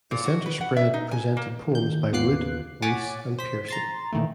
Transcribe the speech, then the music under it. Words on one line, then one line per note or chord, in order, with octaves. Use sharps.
The center spread presented poems by Wood, Reese and Pearson.
A#2
F#4
B4
F#5
E5
D#4
G#5
A#3
D#3 G6
D#2 B3 F4 D6 F#6 C7
C#5 F#5 G#5 D6 A6 B6
C5 B6
A#5 C6 A6
A#2 D#3 E3 A3